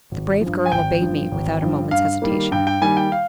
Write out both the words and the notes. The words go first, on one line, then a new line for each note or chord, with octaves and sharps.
The brave girl obeyed me without a moment's hesitation.
G#1
F3
G2
G#5
G#1 G5
G2 F3
G#1
G2 F3
G2 F5
D#3 G3 A#3
G2 G5
G5
D#3 G3 A#3 G#5
G5
F5